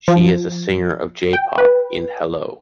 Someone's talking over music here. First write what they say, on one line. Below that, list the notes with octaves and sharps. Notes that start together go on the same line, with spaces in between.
She is a singer of J-Pop in Hello!
F3
G5
B4